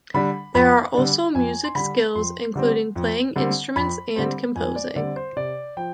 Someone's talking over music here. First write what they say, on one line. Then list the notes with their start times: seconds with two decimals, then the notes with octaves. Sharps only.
There are also music skills, including Playing Instrument and Composing.
0.14 D3 G3 D4 B5
0.54 F2 B5
0.95 D3 G3 D4
1.35 F2 G#5
1.64 C6
1.75 D3 G3 D4 B5
2.15 F2 C6
2.55 D3 G3 C4
2.96 F2
3.36 D3 G3 C4
3.76 F2 B5
4.16 D3 G3 C4
4.56 F2 G#5
4.76 D5
4.96 D3 G3 C4 D5
5.16 C5
5.36 C3 D5
5.77 F3 G5